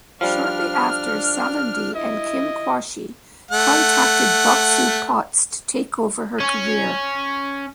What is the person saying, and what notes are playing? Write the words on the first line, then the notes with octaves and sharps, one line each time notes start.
Shortly after, Salandy and Kim Quashie contacted Boxu Potts to take over her career.
F3 G3 D4 F6
E4 D#5
A3 F#5
C#4